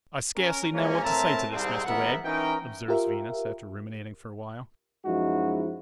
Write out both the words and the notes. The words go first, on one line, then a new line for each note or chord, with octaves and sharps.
'I scarcely know what to say to this, Mr Wegg,' observes Venus, after ruminating for a while.
C#4 A#4
F3 G#3 A#3 C#4
A2 C4 A#4 E5 A5 A#5
C2 G#2 C4
G#1 E2 B3 A#4 E5 F#5
E3 C#4 D#4 A#4 G5
F4 G4 A#4 E5
F#2 F3 G#3 D#4 E4 F#4